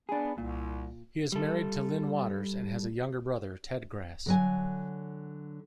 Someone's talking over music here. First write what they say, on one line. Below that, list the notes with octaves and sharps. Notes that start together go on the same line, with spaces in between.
He is married to Lynne Waters and has a younger brother, Ted Grass.
B3 D4 G#4
C2 A#2
G3 A4
D3 F#3 G#5